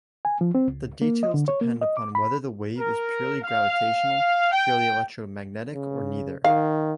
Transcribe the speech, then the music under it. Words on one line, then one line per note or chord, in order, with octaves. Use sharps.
The details depend upon whether the wave is purely gravitational, purely electromagnetic, or neither.
G#5
F3
C4
C#2
A#3
D#5
D3
C#5
A#3
D#5
D6
B5
A#4
F5
G5
C#3
D#3 F5